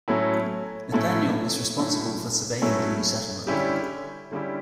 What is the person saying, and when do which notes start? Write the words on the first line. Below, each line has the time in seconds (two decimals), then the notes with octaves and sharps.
Nathaniel was responsible for surveying the new settlement.
0.08 A2 F#3 C#4 E4 A4
0.92 A2 F#3 C#4 E4 A4
1.78 A2 F#3 C#4 E4 A4
2.62 A2 F#3 C#4 E4 A4
3.47 D3 G3 C#4 E4 G4
4.31 D3 G3 C#4 E4 G4